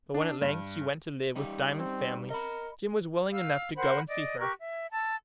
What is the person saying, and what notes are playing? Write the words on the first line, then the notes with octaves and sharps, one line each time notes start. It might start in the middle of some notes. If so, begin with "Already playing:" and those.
But when at length she went to live with Diamond's family, Jim was willing enough to go and see her.
D4
G2
G3 D#4 G4
C4
A#4 D#5 B5
F5 E6
A#4 C5 F#5 B5
D5 D#5
G4 A#4 C#6 F#6
E5
A5 E6